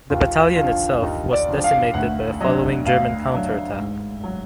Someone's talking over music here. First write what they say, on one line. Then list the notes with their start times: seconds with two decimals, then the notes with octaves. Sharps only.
The battalion itself was decimated by a following German counterattack.
0.10 D#2 F4
0.56 D3 F3 F4
1.02 D#2 D#4
1.33 D5
1.48 D3 F3
1.64 F5
1.94 D2 F#5
2.40 D3 F#3 D#5
2.86 D2 F5
3.32 D3 F#3
3.78 G#2
4.23 F#3